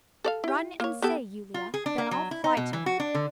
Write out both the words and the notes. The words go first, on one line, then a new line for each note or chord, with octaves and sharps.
Run and say, Yulia, that I'll fly to her.
A4 D5 F5
E4 G4
A#3 C#5
B3 G4 A4
F4
G#4
D4
A#3
F#3
E4
D#4
B2
E3
F#4
D4
D3